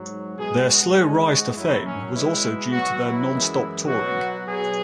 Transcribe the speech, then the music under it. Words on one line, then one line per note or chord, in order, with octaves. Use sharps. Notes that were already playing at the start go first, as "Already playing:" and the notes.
Their slow rise to fame was also due to their non-stop touring.
Already playing: G#2 F#3
B2 G#3 G#4
F#4
G#2 G#3 C#4
F#4
F#2 F#3 E4
C#4
B2 G#3 E4
B2 F#3 F#4
E4
F#2 E3 G#3
B2 F#3 F#4
B2 F#3 G#4